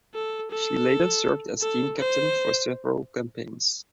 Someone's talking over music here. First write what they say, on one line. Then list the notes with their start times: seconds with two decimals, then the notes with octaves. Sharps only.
She later served as team captain for several campaigns.
0.14 A4
0.51 A4
1.61 A4
1.98 C5